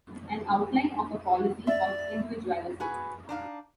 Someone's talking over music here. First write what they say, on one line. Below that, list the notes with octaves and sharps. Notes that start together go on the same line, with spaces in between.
An outline of a policy of individualism.
D5 E5
F#4 G#4 B4 G#5
D4 D#4 F5